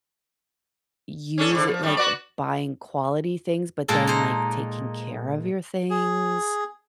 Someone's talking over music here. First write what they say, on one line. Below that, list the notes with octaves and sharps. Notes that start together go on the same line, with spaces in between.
use it, like, buying quality things, but then, like, taking care of your things.
C#4 D4 A4
G#2 D3
F3
F#2 A2 G3
F#4 B4 D5
A#2 G#3 A#3 A4
D#4 C5
G#4